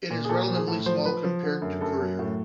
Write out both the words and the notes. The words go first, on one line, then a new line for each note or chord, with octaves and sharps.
It is relatively small compared to Courier.
A#2
G#4
A#2 A4
F3
G#4
A2 A4
F3 C5
F3 B4
F3
D3
F#2
F#2 A4
F#3
A2